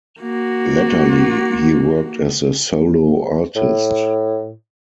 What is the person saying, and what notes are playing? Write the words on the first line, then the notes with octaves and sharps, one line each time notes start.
Latterly, he worked as a solo artist.
A#3 F#4
A2